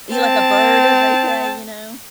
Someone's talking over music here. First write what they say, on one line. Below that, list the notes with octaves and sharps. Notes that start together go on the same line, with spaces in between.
Eat like a bird, as they say, you know?
C4 A5